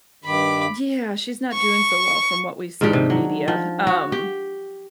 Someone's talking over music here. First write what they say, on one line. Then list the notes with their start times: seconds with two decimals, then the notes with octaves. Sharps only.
Yeah, she's not doing so well from what we see in the media, um,
0.24 G2 D#3 B5 D6
1.53 C#6
2.81 G#2 D#3 D4 G4
2.93 C3
3.10 F#3
3.48 F3
3.87 F#4
4.12 G4